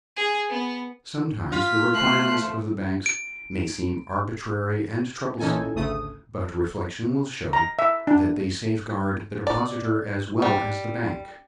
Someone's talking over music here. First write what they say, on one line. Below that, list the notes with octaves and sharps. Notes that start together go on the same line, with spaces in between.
Sometimes the requirements of the banks may seem arbitrary and troublesome, but reflection will show that they safeguard the depositor as well as the bank.
G#4
B3
F4 B6
A3 C5 F#6 C7
D7
A#2 E3 C#4 D#4 A4 G#5
G#1 D2 C#3 A3 D#6
A#5
E5
D4
D5
G3